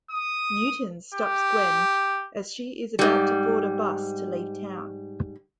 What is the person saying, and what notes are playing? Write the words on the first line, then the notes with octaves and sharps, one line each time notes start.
Newton stops Gwen as she is about to board a bus to leave town.
D#6
G4
G#2 G3